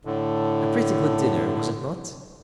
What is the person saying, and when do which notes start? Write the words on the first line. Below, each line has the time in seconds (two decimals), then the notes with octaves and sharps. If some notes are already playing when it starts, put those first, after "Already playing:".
A pretty good dinner, was it not?
0.05 A2 D3